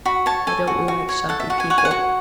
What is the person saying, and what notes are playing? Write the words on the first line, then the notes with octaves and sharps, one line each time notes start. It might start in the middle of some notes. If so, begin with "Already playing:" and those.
I don't like shoppy people.
F#4 B5
C#5 A5
A4 G#5
F#4
F#4
C#5
A4 F#5
E5
F#4 F#5
G#5
C#5 F#5
G#5
F#5
F#4